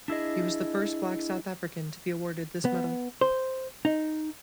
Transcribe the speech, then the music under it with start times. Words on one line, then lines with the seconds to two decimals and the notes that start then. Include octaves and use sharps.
He was the first black South African to be awarded this medal.
0.08 D4 E4 G#4 D#5
2.65 B3
3.21 C5
3.85 D#4